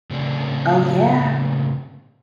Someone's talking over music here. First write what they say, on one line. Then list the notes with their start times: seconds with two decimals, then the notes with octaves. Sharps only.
Oh, yeah.
0.11 A2 C#3 C4 A4 D5